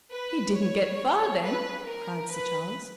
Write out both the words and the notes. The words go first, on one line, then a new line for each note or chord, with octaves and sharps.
"He didn't get far, then!" cried Sir Charles.
B4
C#5
B4
A#4
B4